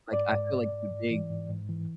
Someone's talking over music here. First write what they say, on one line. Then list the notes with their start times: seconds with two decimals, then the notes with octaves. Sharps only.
like, I feel like the big
0.13 G#2 D5
0.33 G#2
0.52 G#2
0.72 G#2
0.91 G#2
1.10 E3
1.30 G#2
1.49 G#2
1.69 E3